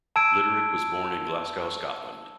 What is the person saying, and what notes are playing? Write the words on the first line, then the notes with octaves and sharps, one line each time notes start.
Litterick was born in Glasgow, Scotland.
A5 E6 G#6 D7